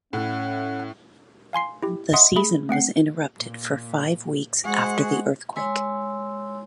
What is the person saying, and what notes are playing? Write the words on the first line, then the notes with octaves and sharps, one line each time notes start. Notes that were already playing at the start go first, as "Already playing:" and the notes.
The season was interrupted for five weeks after the earthquake.
A2 C#4 F#5
F5 G#5 C6 C7
E4 G4
D#5 E5 F#5 C6 D#6
A3 G#4 B5
A3 C4 F#5 C7
A#2
G#3 F#4 G#4 C5 F#5
G#3 C#5 G#5 C6 E6